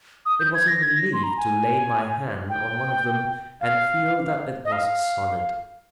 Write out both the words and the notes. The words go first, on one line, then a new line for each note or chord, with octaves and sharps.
It was a relief to lay my hand on one of them, and feel that it was solid.
D#6
G6
G#6
A#6
G#6
A#6
C6
A#5
G#5
G5
F5
D#5
F5